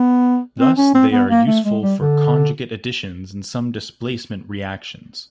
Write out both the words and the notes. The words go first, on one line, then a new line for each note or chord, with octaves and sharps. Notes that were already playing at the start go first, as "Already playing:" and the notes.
Thus they are useful for conjugate additions and some displacement reactions.
Already playing: B3
C4
C#4
C4
B3
A#3
A3
G#3
G3
D3